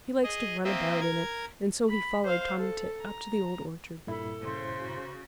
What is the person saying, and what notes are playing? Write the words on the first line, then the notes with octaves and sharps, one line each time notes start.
He likes to run about in it, and so he followed Tommy Tit up to the Old Orchard.
G#4 D#5
A#3 C4 D#5 E5
A#4 G#6
B5
C5 F5
A4
A#5
G2 A#2 E4 A4 B5
C#3 C5
F#4